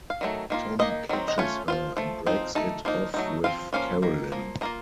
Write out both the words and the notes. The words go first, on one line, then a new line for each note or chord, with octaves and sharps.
Tom catches her and breaks it off with Carolyn.
F5
D#3 F#3 A3
D#3 A#3 F4
D#3 A#3 D#4 D#5
D#3 F#3 C4
D#5
A3 C#4 F4 C#5
F3 C4 F4
F3 A3
F3 C4 D#4
A3 D#4 A5
F3 A#3 D#4
F#3 A3 D#4
F3 C4 F4 F5
F3 A#3 C#4 F4 F5
D#3 A#3
F3 A#3
F3 A#3 F4 A#5